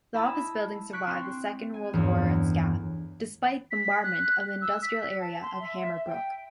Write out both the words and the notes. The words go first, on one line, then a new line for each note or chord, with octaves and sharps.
The office building survived the Second World War unscathed, despite bombardment of the industrial area of Hammerbrook.
E4 D#5 E5 A5 B5 E6
C#6 F#6 B6 D7
C4 C6
G#5
A1 E2 G2 E3
B6
F#6
E6
B6
A5
C6
E5
G5